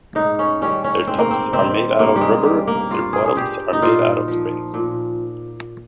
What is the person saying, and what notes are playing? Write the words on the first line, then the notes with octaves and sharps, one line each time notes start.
Their tops are made out of rubber, their bottoms are made out of springs.
G#2 D#4
C#4
D#3 G3 C#4
C#4
G#2 C4
A#3
C4
D#3 G3 C4
G2 A#3
G3
G#3
G3
A#3
G2 F4
G#4
G#4
G3 G4
D#4
A#2 F4
F3
A#2